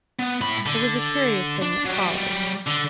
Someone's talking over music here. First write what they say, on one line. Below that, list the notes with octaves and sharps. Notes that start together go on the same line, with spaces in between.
It was a curious thing that followed.
B3
A2 B5
D3
D4
F#3 G3
D3